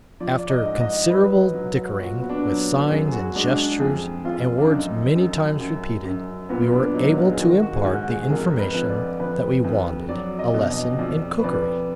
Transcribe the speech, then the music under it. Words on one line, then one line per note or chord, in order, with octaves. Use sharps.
After considerable dickering, with signs and gestures and words many times repeated, we were able to impart the information that we wanted a lesson in cookery.
F3 D5
D5
D#5
G#2
D#5
F#3 B4
F#3
A#2 F#4
B3
D4
F#3
F#2 G#4
G#4
F#4
G#3 D4
D4
F2 G#4
F2 F4
D4
F#2 D#4
F#2
F#2
F#2
A#2 B3
D4
F#3 D#4
F4
G#4
D#3 F#4
F#4
G#4
G#2 F#4
G#4
G#4
F2 A#4
B4
F2
D5
F2 B4
F2
F#3 D5
D#5
B2
D#5
F2 D5
B4
F2 D5